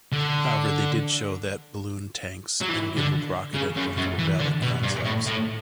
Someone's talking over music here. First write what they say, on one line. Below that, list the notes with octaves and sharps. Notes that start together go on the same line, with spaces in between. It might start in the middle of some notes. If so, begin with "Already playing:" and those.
However they did show that balloon tanks, and gimbaled rocket engines were valid concepts.
D3
F#3
E3
D3
C#3
F#2
F#2
E3
D3
B2
G2
A2
A2